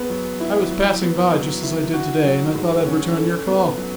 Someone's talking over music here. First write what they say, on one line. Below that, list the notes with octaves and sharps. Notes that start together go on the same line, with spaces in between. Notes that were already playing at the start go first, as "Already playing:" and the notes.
I was passing by, just as I did to-day, and I thought I'd return your call.
Already playing: B3 G#4
F#3
E4
F#3
B3
F#3
E4
F#4
F#3
G#2
C#4
A4
B3
F#3